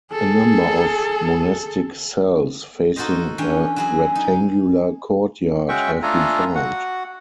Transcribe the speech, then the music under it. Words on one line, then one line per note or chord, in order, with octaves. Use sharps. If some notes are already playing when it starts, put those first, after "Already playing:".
A number of monastic cells facing a rectangular courtyard have been found.
G#4 A4
D#4 F#4 A4 A#4 C5 D#5
E3 C#4 D4 G5
F#3 E4 G#4
D#4
G#3 C#4 F#4 E5 G5 C#6
A3 D4 F4 A4 G#5 A#5
F#4 F#5